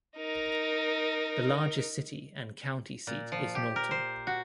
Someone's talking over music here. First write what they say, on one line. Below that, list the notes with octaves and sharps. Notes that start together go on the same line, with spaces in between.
The largest city and county seat is Norton.
D#4 A#4
A#2
F3
G4
A#4
C5
F#4